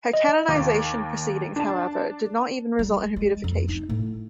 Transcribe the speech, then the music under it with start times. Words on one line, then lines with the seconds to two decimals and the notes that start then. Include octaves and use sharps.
Her canonization proceedings, however, did not even result in her beatification.
0.13 D#5
0.49 D#2 D6
1.56 D4 A5
2.79 G3
3.16 G#3
3.44 F2
3.69 D#4
3.89 A2